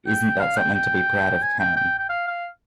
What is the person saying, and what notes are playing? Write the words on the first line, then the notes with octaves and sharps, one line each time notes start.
Isn’t that something to be proud of, Karen?
G5
F5
G5
G5
G#5
G5
G5
G5
F5
F5